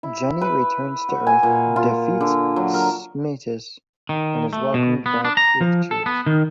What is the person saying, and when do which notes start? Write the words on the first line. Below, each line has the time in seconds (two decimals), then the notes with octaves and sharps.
Jenny returns to Earth, defeats Smytus, and is welcomed back with cheers.
0.03 E4
0.41 B4
1.09 F#4
1.27 G#5
1.43 A#2
1.76 F4
2.20 D3
2.56 F#3
2.74 A#4
4.09 D#3
4.53 A3
4.74 B2
5.06 B3
5.25 D4
5.37 A#5
5.61 F3
5.91 A4
6.06 B3
6.27 D#3